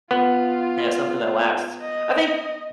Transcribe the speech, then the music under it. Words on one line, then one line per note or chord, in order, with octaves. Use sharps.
Yeah, something that lasts. I think,
B3 F4
D#5